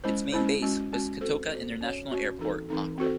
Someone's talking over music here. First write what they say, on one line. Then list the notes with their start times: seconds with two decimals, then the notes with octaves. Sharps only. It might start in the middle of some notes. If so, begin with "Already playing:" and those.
Its main base was Kotoka International Airport, Accra.
0.04 G#3 C#4 E4 C5
0.32 G#3 C#4 E4 C5
0.63 G#3 C#4 F#4
0.92 G#3 C#4 F#4
1.21 C4 F#4 A4 C5
1.51 C4 F#4 A4 C5
1.81 C#4 F#4 C#5
2.10 C#4 F#4 C#5
2.39 E3 C4 D#4 A4
2.69 E3 C4 D#4 A4
2.98 C4 F#4 A4 C5